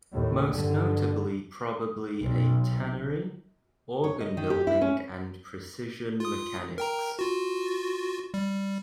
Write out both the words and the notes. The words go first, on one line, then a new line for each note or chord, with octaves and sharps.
Most notably probably a tannery, organ-building and precision mechanics.
D#2 A2
G2 D3
B1
C#5
D#5
D#3
G4
E4
C#4
F4 D#6
A#4 G5 A#5
F4 F#4
G3